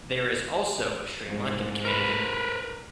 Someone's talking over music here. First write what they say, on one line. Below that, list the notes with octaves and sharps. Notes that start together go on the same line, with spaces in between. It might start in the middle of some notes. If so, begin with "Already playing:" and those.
There is also a Sri Lankan community.
C2 G#2
A#4 B4